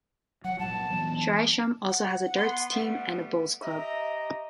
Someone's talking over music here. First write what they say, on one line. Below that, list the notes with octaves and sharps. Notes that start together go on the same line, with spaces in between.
Syresham also has a darts team and a bowls club.
F#3 F#5
A#2 F#3 A5
E3 F#3 B3
F#5
B3 C6
G3 A3 B3
G4 D#5 E5 A#5